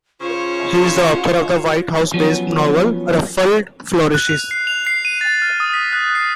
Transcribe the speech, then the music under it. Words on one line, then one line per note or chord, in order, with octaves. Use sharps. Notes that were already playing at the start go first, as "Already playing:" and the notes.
He is the author of the White House-based novel, "Ruffled Flourishes".
C#3 F4 C5 C#5
F3 F#3 B3 C#4
F#6
F7
C7
F7
C7
D#7
A6
F6
D#6
B6
F#6
C7